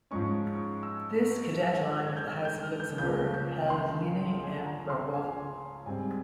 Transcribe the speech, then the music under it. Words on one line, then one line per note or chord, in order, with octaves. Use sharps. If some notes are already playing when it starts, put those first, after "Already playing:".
This cadet line of the House of Luxembourg held Ligny-en-Barrois.
G#2 F3 G#3 C#4 C#6
E6
G#6
G6
F6
G6
F6
G6
C#2 C#3 F3 A#3 C#4 G6
G6
C6
G#5
A#5
C6
G#5
G#2 G3 C4 G#5